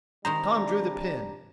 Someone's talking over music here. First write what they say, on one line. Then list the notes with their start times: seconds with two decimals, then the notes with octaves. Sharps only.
Tom drew the pin.
0.25 C3 D#3 G3 G#3 D4 C5 A#5